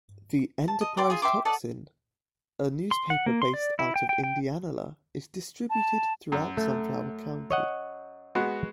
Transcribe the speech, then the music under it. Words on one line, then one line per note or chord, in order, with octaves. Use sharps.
"The Enterprise-Tocsin", a newspaper based out of Indianola, is distributed throughout Sunflower County.
A5
D#5
D5 G5 C6 D6
F4 G#4
E5 G5 C6 D6
A4 D5 D#5 F#5
C6
F#5
A#3
C6
D5
E4
G5
G5
G5
A5
F#2
A3
C#5 D#5 F#5
G#3 B3 F#4